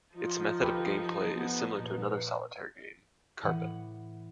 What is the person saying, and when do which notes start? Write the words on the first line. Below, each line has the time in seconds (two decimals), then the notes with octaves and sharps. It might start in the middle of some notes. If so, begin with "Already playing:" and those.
Its method of game play is similar to another solitaire game Carpet.
0.15 F3 D#4 F4
0.61 D2 G4 A4 B4
1.34 B3
1.80 A#2 B4
3.43 A2 E3 F#5 F#6